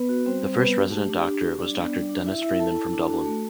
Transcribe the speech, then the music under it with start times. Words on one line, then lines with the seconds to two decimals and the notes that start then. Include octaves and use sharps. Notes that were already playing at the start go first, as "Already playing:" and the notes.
The first resident doctor was Dr Denis Freeman from Dublin.
Already playing: B3 B4
0.09 F#4
0.26 G3 C4 C5
0.43 G3
0.59 G3 B3 B4
0.77 F#4
0.92 A3 G4
1.10 D4
1.26 D4
1.43 F#4
1.60 G3 D4 D5
1.76 B3
1.93 G3
2.09 D4
2.26 E4 E5
2.42 E4 E5
2.59 E4 A4 A5
2.77 E4
2.93 D4
3.10 F#4
3.26 A3